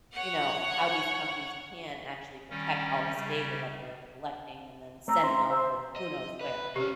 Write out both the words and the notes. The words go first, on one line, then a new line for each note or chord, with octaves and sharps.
you know, how these companies can actually protect all this data that they're collecting and then sending off to who knows where.
C#5 F#5
D#3 G3 C#4
C#3 G3
A3 C4 A#5
C#4 C5
C5 E5
D#5
B4
C3 C#4 G4